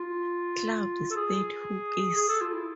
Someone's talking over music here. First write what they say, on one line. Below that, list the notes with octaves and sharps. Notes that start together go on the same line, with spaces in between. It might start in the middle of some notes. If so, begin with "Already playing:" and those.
Cloud State Huskies.
Already playing: F4
A4
G#4
G#4
A4
F4
E4